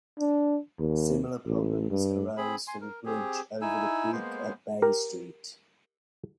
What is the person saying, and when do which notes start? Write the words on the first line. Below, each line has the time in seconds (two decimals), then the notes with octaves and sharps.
Similar problems arose for the bridge over the creek at Bay Street.
0.19 D4
0.79 D#2
1.46 A1
1.91 G2
2.37 C4 G#4 B5
2.68 G#5 C6
2.81 A#4
3.06 C4 G4 G#4
3.62 D#4 E4 G#5 E6
4.12 G#3 A#3 B3 C5
4.82 G4 A#4